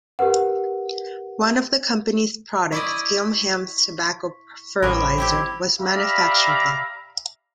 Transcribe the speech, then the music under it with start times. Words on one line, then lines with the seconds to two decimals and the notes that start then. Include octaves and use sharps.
One of the company's products, Gilham's Tobacco Fertilizer, was manufactured there.
0.19 G4 A#4 B4 F#5
2.72 E4 D5 D#5 C#6 B6
4.82 A1 F3 G3 C#4 B5 A#6 D7
5.18 C4 E4 G4
5.80 G4 D5 E5 F5 A#5 B5